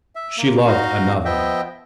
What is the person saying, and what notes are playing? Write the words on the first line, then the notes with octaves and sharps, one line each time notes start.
She loved another.
E5
A#3
D#4 F#4 D#5 F5
F3 B3 D#5 E5 G5